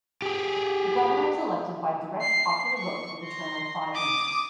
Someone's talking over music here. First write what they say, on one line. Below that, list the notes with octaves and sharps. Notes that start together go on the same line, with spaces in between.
The governor is elected by direct popular vote for the term of five years.
G4 G#4
C7
C#6
C6 A#6
D6 D#6